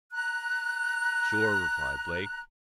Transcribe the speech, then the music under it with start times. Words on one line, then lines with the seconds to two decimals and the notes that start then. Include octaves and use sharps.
"Sure," replied Blake.
0.12 A#5 F#6